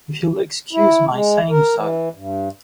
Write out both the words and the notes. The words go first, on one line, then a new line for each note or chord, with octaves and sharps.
If you’ll excuse my saying so.
E4
G#3
A#4
E3
G2